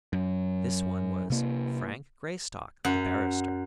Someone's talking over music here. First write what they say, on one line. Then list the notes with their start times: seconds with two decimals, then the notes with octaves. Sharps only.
This one was Frank Greystock, the barrister.
0.13 F#2
1.30 C3 A#3
2.85 F#2 F#5